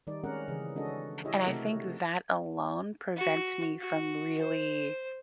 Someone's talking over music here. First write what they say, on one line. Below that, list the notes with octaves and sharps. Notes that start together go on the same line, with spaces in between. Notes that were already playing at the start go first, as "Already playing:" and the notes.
and I think that alone prevents me from really,
D#3 G3 D#4 D5
G#3 C4 C#4 A#4 F#5
C#3 E3 G#4
G#3 C#4 D4 F#4 A4 D#5
E4 G4 G#4 C#5 D#5 E5
C3 A3 C4 F#4 A4 A#4
F#4
F#4
C5